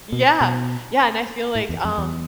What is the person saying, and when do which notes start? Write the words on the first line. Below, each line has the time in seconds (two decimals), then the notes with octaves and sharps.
Yeah, yeah, and I feel like, um,
0.12 B2
0.41 B2
1.55 A2
1.69 E2
1.84 F2
1.98 E2